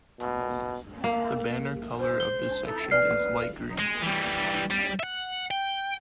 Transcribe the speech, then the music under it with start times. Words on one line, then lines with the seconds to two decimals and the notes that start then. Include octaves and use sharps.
The banner colour of this section is light green.
0.21 B2
1.04 A#3
1.98 C5
2.20 G7
2.66 A4
2.91 B4 D5 F6 C7
3.79 G#3
4.02 E3 G3
4.70 G3
4.99 E5 F#5
5.51 G5